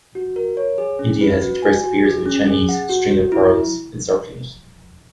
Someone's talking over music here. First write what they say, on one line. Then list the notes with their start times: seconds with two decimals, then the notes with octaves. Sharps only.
India has expressed fears of a Chinese "String of Pearls" encircling it.
0.15 F#4
0.36 A#4
0.57 C#5
0.78 G#4
0.99 C#4
1.21 B4
1.42 F#4
1.62 G#5
1.84 F#4
2.05 G#4
2.26 C#4
2.47 G#4
2.69 F#5
2.89 F#4
3.11 F#4
3.32 E4